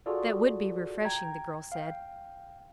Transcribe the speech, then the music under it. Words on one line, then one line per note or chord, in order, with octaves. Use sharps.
"That would be refreshing," the girl said.
F4 F#4 G#4 A4 D5
G5 A#5 G#6
F5 G5